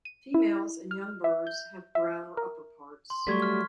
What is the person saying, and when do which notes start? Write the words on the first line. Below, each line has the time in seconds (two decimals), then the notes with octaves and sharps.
Females and young birds have browner upperparts.
0.05 D#7
0.34 E4
0.91 F6
1.24 E5
1.47 G6
1.95 E5
2.37 A#4
3.10 C6
3.27 F#3 G3 A3 C#6 G#6 B6
3.42 F6